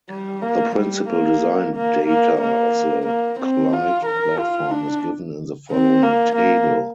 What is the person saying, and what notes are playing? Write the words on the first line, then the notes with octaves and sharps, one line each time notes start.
The principal design data of the Clyde platform is given in the following table.
G3
A#3
G3
A#3
A#3
A#3
A#3
A#3
C4
F4
A#4
F4
D4
C4
A#3
A#3